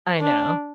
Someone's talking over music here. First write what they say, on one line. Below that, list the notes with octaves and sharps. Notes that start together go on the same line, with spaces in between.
I know.
D4